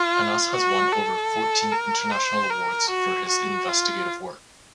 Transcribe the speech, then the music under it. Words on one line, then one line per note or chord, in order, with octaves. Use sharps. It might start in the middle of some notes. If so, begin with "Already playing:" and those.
Anas has won over fourteen international awards for his investigative work.
Already playing: F4
F#4
A4
A#4
C5
A#4
F#4
F#4
F4